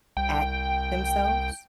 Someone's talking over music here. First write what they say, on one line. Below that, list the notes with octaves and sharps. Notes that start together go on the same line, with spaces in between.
at themselves,
C2 G5